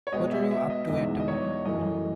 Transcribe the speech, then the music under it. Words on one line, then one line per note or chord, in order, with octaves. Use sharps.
What are you up to at the moment?
C#5
B2 G#3 B3 F#4 D#5
E5
E5
D#5
E2 B2 G#3 D#4 D#5
D#5
C#5
F#2 E3 A3 D#5